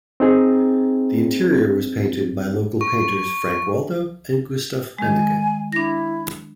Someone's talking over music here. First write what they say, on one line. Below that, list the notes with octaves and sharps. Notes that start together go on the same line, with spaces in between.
The interior was painted by local painters Frank Waldo and Gustav Behncke.
C4 D#4 G#4
C#6
D#3 G#3 G#5
D4 E4 A#6